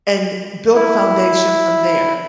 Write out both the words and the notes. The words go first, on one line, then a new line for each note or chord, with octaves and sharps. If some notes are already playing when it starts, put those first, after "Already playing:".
and build a foundation from there."
E4